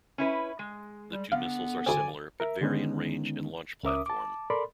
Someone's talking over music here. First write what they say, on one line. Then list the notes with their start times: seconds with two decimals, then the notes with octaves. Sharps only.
The two missiles are similar, but vary in range and launch platform.
0.18 C#4 E4 B4
0.59 G#3
1.12 G3
1.32 D3 B3 F5
1.87 D2 C4 D5 G#5
2.40 A#4 E5
2.61 D3 D#3 G#3 B3 C#4 D#4
3.83 C#2 C#4 A#4 E5 D6 D#6
4.06 A5 D6
4.50 A4 A#4 D5 B5 C6